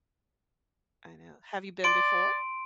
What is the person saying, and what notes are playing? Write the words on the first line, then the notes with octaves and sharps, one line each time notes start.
I know. Have you been before?
D5 C6 D7